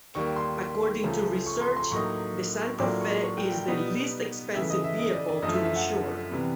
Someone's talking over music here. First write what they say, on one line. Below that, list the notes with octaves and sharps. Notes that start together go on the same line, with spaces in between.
According to research, the Santa Fe is the least expensive vehicle to insure.
D#2 D#3 G3 A#3 C#6
C6
C#2 C#3 F3 A3 C#4
C#6
C6
C6
A2 F#3 A#3 D#4 C#6
A2 F#3 A#3 D4 F4 D6
C#6
C#6
G5
G5
B2 G3 B3 D#4
C#3 E3 A3 E5
D#5
E5
D#5
D5
D5
F#2 D3 F3 A3 D#5
E5
E5
F#5
C3 E3 G3 B3